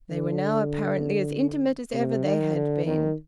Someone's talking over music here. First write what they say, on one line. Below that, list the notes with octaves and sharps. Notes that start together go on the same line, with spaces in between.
They were now apparently as intimate as ever they had been.
D3
C3
D#3
D3
D#3